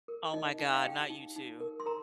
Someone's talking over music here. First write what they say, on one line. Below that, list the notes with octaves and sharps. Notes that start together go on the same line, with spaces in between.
Oh, my God, not you, too.
A#4
D#4 D#5
D#4
F5
G4 G5
D#4
D#4
A#4
C6
A#4 A#5